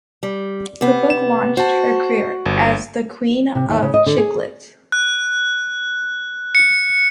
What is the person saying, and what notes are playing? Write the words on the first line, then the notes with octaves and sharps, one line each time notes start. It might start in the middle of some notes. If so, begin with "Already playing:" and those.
The book launched her career as "the queen of chick lit".
G3
C3 B3
E7
F#4 C5 A5
G1
C3
D#2
C#3
D#5
D3
G#4
F#6
C#7